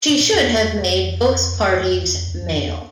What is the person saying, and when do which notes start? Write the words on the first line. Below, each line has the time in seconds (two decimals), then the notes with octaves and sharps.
She should have made both parties male.
0.09 A#2
0.20 A#2
0.33 E2
0.45 E2
0.57 F2
0.70 E2
0.82 F2
1.55 E2
1.67 F2
1.79 F2
1.92 F2
2.04 E2
2.16 F2
2.28 E2
2.41 F2
2.53 F#2
2.65 E2